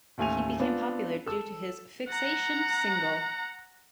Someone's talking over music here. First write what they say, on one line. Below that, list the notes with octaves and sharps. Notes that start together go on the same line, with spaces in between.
He became popular due to his "Fixation" single.
A1 D#2 A3 G#5 F7
B3 C4 D4 F4
A4 E6
F#5 A#5